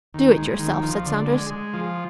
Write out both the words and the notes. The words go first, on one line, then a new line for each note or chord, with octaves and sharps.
"Do it yourself," said Saunders.
D#2
G#3
D#2
F3
D3
G#3
G#3
F3